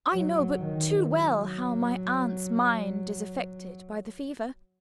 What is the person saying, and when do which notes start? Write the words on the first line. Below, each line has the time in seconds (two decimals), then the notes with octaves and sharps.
"I know but too well how my aunt's mind is affected by the fever."
0.14 F#3
0.59 D#3
1.05 F#3